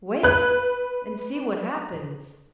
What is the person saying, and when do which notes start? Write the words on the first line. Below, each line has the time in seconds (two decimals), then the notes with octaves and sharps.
Wait and see what happens.'
0.23 B4 F#6